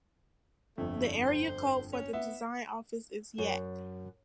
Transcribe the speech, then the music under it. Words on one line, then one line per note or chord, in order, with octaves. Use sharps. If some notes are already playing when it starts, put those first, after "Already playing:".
The area code for the design office is Yak.
G1 F2 A3
C5
C#4
B3 E5
F#2